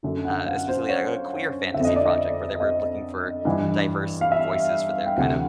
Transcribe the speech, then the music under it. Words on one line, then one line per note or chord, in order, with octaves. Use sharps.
uh, especially, like, a queer fantasy project where they were looking for diverse voices for their kind of
F#2 D3
F#5
F5
C5
C#5
D3 E5
F2
D#5
D5
D#5
D#5
G2 E3
F5
E5
G5
D2 C3 E3 F#5